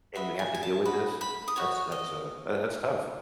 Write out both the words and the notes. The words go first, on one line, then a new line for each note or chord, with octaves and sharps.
and you have to deal with this, that's that's a that that's tough.
F#4 B4 D#5 E5
G#5
G#5
A5
F#4 B4 D#5 B5
B5
D#6
F#4 C#5 C#6
D#5